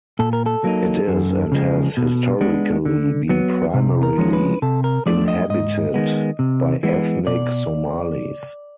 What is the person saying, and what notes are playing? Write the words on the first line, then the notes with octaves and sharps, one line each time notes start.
It is and has historically been primarily inhabited by ethnic Somalis.
A#2 A4
A#4
A4
F#3 A#3 D#4
F#2
C#3 F3 G#3
B2
G#3 B3 D4
D3
F#3 B3
C3
A#4
F3 G#3 C#4
B4
C3 A4
A#4
F3 A3 D4 D5
D#5
G#2 D#5
D#3 G#3 B3
C3
E3 G#3 B3
B2 D5